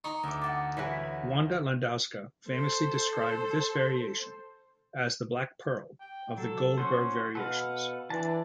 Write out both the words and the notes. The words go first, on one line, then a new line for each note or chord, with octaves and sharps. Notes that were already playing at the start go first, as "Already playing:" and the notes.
Wanda Landowska famously described this variation as "the black pearl" of the "Goldberg Variations".
D#4 A#5 C#6
D2 E5 D6 E6
F#5 G5 A5
E3 E4 F#4 B4 C#5
A4 C5
G5
F#3 A4
C#4 F#4 C5
B2 A4 B4 F5 F#5
E3 D4 D5 A5